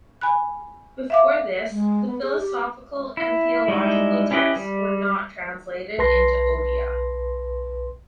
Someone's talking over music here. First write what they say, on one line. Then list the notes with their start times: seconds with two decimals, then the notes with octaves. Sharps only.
Before this the philosophical and theological texts were not translated into Odia.
0.21 G#5 B5 F#6
1.10 E5 F5 D6
1.70 G#3
2.07 B3
2.22 G#4
2.39 G4
3.17 E4
3.68 G3 G#3 D#4 E4
4.31 C#4 E4 G4 B4 D#5
4.56 G3
5.98 B1 B4 A5 C6 A#6 C7